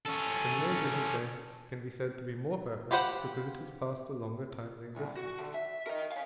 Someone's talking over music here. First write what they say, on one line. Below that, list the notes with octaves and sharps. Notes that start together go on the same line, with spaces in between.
For no given thing can be said to be more perfect, because it has passed a longer time in existence.
C#4 A4
F4 G4 B4 C5 F#5
C2
F#4
D3
E5
A#4 D#5
C#5 F5